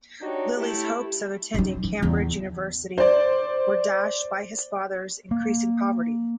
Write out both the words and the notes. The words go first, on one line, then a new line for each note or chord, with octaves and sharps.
Lilly's hopes of attending Cambridge university were dashed by his father's increasing poverty.
D4 D#4 F#4 G4 C#5
A3 E4 G4
F#3 D#4
F3
E2
C5 D5
A#3